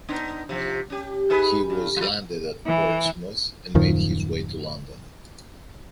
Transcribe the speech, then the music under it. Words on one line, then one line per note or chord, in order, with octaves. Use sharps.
He was landed at Portsmouth and made his way to London.
B3 D4 D#4
C3 F3
C#4 G4
D#4 G#4 B4
G2
F#3 G3
E3
D#1 F#2 D#3 F3